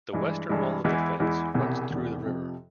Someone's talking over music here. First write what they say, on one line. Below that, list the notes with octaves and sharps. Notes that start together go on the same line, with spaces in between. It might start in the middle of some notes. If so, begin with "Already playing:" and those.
The western wall of the fence runs through the river.
G2 E3 G#3
G2 E3 G#3
E2 E3 G#3 E4
E2 E3 G#3 E4
E1 E2 C3 E3
E1 E2 C3 E3
F2 C3 F3